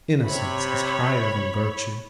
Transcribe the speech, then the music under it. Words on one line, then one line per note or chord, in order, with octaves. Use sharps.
Innocence is higher than virtue.
C3 C#5 B5